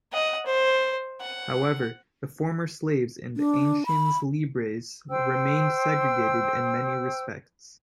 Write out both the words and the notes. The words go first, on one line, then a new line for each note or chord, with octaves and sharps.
However, the former slaves and the anciens libres remained segregated in many respects.
D#5 F#5
C5
F#5
D4
B5
C5 G5 E6